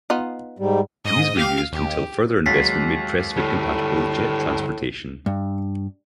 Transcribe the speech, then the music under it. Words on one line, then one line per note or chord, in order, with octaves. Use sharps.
These were used until further investment made Prestwick compatible with jet transportation.
B3 D#4 F4
G#2 G3
G#2 D#5 D#6
G4 F5
D#2 G4
D#2 F#3 G#3 A6 B6 C7
A2 D3 G3
G2